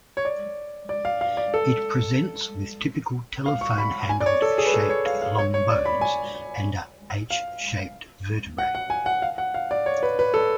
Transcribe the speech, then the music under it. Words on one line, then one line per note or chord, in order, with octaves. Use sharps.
It presents with typical telephone handled shaped long bones and a H-shaped vertebrae.
C#5
D5
D5
F5
F5
D5
A4
F5
C#6
B5
G#5
D5
C#5
A4
G#4
B4
A4
C#5
F5
F5
C#5
C#5
D5
B5
G#5
F5
F#5
F#5
G#5
F#5
F5
F#5
F5
D5
C#5
B4
B4
A4